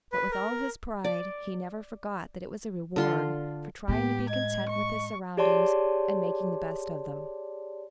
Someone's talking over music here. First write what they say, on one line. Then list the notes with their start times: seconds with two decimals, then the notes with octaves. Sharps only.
But with all his pride he never forgot that it was a reward for trying to be content with his surroundings and making the best of them.
0.12 B4
0.31 A#4
1.04 D5
2.96 D3 F4 C6
3.88 A2 G#3 B3 G4
4.29 D#5 G#6
4.69 C#6
5.37 G4 G#4 C#5 D5 A5 C6